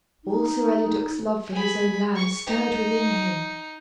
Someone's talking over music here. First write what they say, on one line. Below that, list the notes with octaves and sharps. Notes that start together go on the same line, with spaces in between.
All Sir Eliduc's love for his own land stirred within him.
D#4
G#4 B5
C#6
D#4